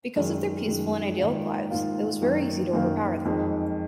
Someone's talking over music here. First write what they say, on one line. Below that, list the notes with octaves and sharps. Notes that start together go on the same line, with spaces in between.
Because of their peaceful and idyllic lives, it was very easy to overpower them.
F#2 D#3 G#3
F#2 D#3 G#3
G#2 D#3 A#3 F4
G#2 D#3 A#3 F4
F#2 D#3 A#3
F#2 D#3 A#3
F2 D#3 G#3 D#4